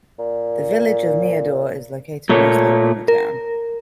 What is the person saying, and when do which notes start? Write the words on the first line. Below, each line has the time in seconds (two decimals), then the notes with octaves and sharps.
The Village of Milladore is located mostly within the town.
0.19 A#2
2.29 A#2 A3 A#4 C#5
3.08 A#4